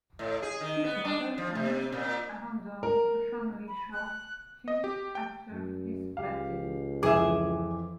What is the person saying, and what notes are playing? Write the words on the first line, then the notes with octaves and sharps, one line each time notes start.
His mother Anisia abandoned the family shorty after his baptism.
A2
G#4
D#3
B3
D4
F3
C3
A#2
A#4
B5
F#6
D#5
G4
G5
F#2
C#2 G4 F5
F2 E3 F3 G#4 E5 D6